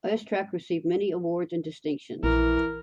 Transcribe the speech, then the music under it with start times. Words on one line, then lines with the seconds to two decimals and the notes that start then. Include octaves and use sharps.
Oistrakh received many awards and distinctions.
2.23 A#1 E3 A#4